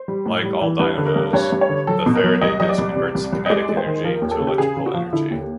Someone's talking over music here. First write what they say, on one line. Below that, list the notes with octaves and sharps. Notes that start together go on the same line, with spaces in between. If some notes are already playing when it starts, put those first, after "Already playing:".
Like all dynamos, the Faraday disc converts kinetic energy to electrical energy.
Already playing: C5
G3
A2
G3
E3
G2 B4
D3
A#4
G2
G2 C#5
G2
C#5
D3
F#3 A4
B2
A#4
F#3
C2 D#5
F#3 D#5
D5
C2
C3
C2
C2
D#5
G#3 D5
G#3
C5
D#3
F3 A#4
D#2
A4
C#3
G4
C#3 G#4
C#3
F#4
F3
D3 E4
D#2